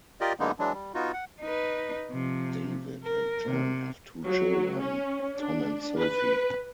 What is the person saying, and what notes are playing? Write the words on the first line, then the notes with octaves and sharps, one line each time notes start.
David and Jan have two children, Tom and Sophie.
F4 G4 A#4 D5 D#5
F#2 D3 G#3 A#3 B3 D#4
E3 F#3 G#3 D4
G3
B3 D#4 F4 F#4
F#5
D#4 B4
C3 F3
A#4
C3
F#3
C#4
D4
B4